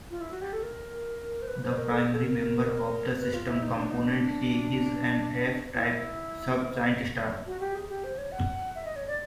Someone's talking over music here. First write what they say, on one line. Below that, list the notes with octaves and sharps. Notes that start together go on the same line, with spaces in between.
The primary member of the system, component A, is an F-type subgiant star.
F4
E4
F#4
G4
A4
A#4
C5
B4
C5
A#4
A4
G#4
A4
A#4
B4
F4
E4
D#4
D4
D#4
D4
E4
F#4
G4
G#4
G4
C5
C#5
F#5
E5
D#5
C#5
D5